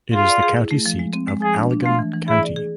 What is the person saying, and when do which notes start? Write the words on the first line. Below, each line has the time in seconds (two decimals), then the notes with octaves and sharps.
It is the county seat of Allegan County.
0.13 F4 G#4
0.29 D5
0.43 G#4
0.57 E4
0.71 A3
0.86 F3
0.99 G#3
1.13 C4
1.28 G#3
1.42 F3 G#4
1.56 D4
1.71 D4
1.85 A3 F4
1.99 E3
2.13 E3
2.28 E4 G#4
2.43 D5
2.56 G#4